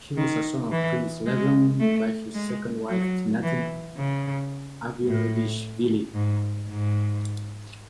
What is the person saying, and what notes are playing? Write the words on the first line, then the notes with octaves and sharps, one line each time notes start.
He was a son of Prince Levan by his second wife, Tinatin Avalishvili.
D#3
E3
G#3
A3
G#3
F#3
E3
C#3
A2
G#2
G#2